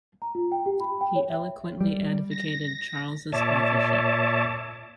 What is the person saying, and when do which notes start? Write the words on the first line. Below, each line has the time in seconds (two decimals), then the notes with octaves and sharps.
He eloquently advocated Charles's authorship.
0.22 A#5
0.35 F4
0.52 G5
0.66 G4
0.80 B5
1.01 G5
1.16 C#5
1.30 E5
1.81 G3
2.31 A#6
3.32 A#2 C#5 D5 E5 A5